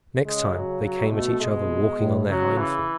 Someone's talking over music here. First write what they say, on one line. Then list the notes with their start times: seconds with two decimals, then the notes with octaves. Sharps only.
Next time they came at each other walking on their hind feet.
0.25 C#3 G#3
0.54 F#3
0.83 F#3
1.11 B2 A3
1.40 B2 G#3
1.98 A2
2.28 C#3 F#3
2.57 E3